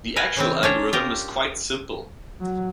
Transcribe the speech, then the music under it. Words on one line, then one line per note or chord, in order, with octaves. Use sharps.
The actual algorithm is quite simple.
A#4 B4 G#5
C#3 E3 C4
C#4 D4 C#5
F4 G4 A#4
F#3